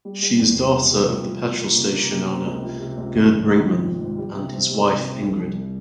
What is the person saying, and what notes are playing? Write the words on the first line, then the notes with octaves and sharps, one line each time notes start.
She is daughter of the petrol station owner Gerd Brinkmann and his wife Ingrid.
G3
G3
E2
E1
C3
G3
F3
F4
F4
A#3
C#3
A#3
C3
C4
C#2
F3
C3
C#2
G#1
G#1
G#2
F3
F3
G#2
G3
C3
C4
G3
C3
C4
C2
C2